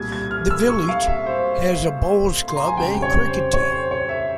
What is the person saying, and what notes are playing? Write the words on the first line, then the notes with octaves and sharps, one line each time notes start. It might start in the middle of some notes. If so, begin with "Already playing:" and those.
The village has a bowls club and cricket team.
Already playing: C2 A#2 G3 G#6
G#6
F6
E6
C#6
F5
E5
C5
C6
A#5
G#5
F2 C#3 G3 G5
C#5
C5
C#5
C5
C#5
E5